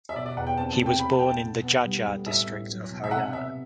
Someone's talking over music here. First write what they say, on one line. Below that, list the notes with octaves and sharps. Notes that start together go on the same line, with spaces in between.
He was born in the Jhajjar district of Haryana.
E5
B2 D5
D5
E2 F#5
G5
C4 A5
A5
C3
G5
A3 B5
A5
A3 G5
A5
B2
B3
G3
D2
A1 E5
A2
F#3
B2
E5
C3 F#5
B3 E5